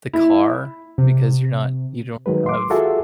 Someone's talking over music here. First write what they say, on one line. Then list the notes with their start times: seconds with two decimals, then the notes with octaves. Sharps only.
the car, because you're not you don't have
0.13 E4
0.98 C3
2.26 D#3 F#3 G#3 B4
2.46 C6 D6
2.70 F4 F#4 G#4 A4 E5